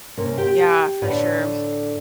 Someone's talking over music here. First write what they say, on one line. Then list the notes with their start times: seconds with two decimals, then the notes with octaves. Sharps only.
Yeah, for sure.
0.17 C3 A#3 C#4
0.38 G4 G5
1.02 A2 D3 A3 B4 C#5 D5